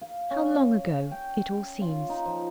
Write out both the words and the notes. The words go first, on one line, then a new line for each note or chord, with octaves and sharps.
How long ago it all seems.
F5
C#4
G5
F4
D#4
F3